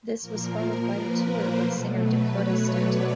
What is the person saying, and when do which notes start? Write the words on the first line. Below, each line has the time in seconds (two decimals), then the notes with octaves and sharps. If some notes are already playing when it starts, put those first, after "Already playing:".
This was followed by a tour with singer Dakota Staton.
0.20 A#2 F3 A#3 A#4
0.55 A#4
0.93 B4
1.27 C5
1.64 B2 F#3 A3
2.00 B4
2.36 C#5
2.72 D5